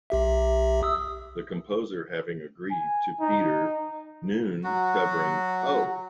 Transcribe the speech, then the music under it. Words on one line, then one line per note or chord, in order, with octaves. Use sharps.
The composer having agreed to Peter Noone covering Oh!
B1 G4 E5
D#6 E6
G#5
D#4
F#3 F#4